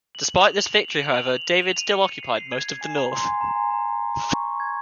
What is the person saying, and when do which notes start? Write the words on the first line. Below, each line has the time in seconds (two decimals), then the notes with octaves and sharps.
Despite this victory, however, David still occupied most of the north.
0.15 F#7
0.25 F#7
0.36 F7
0.48 F#7
0.58 F7
0.73 F#7
0.88 F#7
1.03 F7
1.14 F#7
1.26 F7
1.37 F7
1.62 F7
1.78 D#7
1.93 C#7
2.07 C#7
2.23 C7
2.37 C7
2.52 G#6
2.81 G#5
2.97 A#5
3.12 C6
3.26 G#5
3.41 A#5
3.56 G#5
3.70 A#5
4.15 A#5
4.31 C#6
4.45 C#6
4.60 G#6